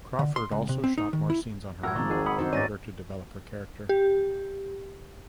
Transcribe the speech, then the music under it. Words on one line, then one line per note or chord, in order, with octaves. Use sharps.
Crawford also shot more scenes on her own in order to develop her character.
D3
C6
C#2
C3
C4
D#4
D#3
E4
A2 E3 F#4 A#4 E6 G#6
D#3 F3 G#3 C4 D5 A#5 C#6
G#1 G#2 G#4
F#5 B5 D#6
D#3 C4 D4 D#4 F#4 A4 C5
G#2 B3 C#5 D5 A6 A#6 D#7
G4